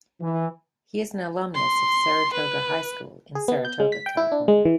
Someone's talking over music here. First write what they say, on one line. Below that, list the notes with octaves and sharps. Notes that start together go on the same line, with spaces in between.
He is an alumnus of Saratoga High School in Saratoga, California.
E3
C6
B4
G#4
B3
G6
G#3
B6
G5
E4
D4
G#3
E3